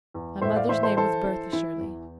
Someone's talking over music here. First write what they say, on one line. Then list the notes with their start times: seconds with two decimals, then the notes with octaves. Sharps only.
My mother's name was Bertha Shirley.
0.14 E2
0.42 A2 C5 E5
0.56 D5 F5
0.69 E3 C5 E5
0.83 A4 C5
0.97 E3 A4 C5
1.25 E3
1.52 E3 E4
1.80 E2